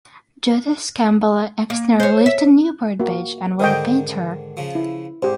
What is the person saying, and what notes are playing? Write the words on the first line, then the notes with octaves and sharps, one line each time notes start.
Judith Campbell Exner lived in Newport Beach and was a painter.
A#3
C5 C#5
E5
A#3 F#4
G#2 D3 D#3 C5 D#5 G5
C#3 F3
E4
G#2 G4 C5